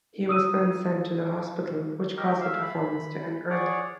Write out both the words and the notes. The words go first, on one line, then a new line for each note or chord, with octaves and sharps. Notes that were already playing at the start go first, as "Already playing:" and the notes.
He was then sent to the hospital which caused the performance to end early.
D#6 E6 D#7
G4 A#4 D#5
E5 F5
B5
G#4 C#5 D5 F#5